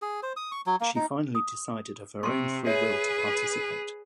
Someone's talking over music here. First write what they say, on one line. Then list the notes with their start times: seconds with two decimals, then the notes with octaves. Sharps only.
She finally decided of her own free will to participate.
0.02 G#4
0.23 C5
0.36 D#6
0.52 C#6
0.66 F#3
0.80 A#3
0.96 D#4
1.35 D#6
2.23 C3 C6 C#6
2.67 G#4 B4 C#5 E5